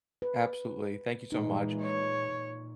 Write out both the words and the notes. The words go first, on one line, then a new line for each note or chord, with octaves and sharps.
Absolutely. Thank you so much.
B4
A#2 E3 G#3 D#4
C#5
A#2